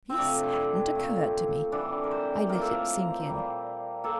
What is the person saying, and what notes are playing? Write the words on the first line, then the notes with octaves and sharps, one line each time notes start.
This hadn't occurred to me; I let it sink in.
C4
C3 F3 A3 D4
A#2 A3
A2 E3 G3 D4
A#4
C5
A2 F3 A#3 A#4
A4
A#4
A#2 G3 A#3
A#3 A4